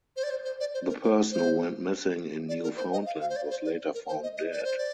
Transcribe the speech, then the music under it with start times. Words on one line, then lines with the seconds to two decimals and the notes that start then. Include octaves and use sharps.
The person who went missing in Newfoundland was later found dead.
0.16 C5
0.23 D5
0.30 C5
0.45 C5
0.60 D5
0.74 C5
0.89 A#4
1.03 C5
1.32 C5
2.49 D5
2.63 A#4
2.77 C5
2.93 D#5
3.06 F5
3.21 F5
3.30 C5
3.36 D5
3.50 C5
3.65 D5
3.94 A#4
4.08 C5
4.23 D#5
4.37 D#5
4.52 D5
4.64 C5
4.78 D5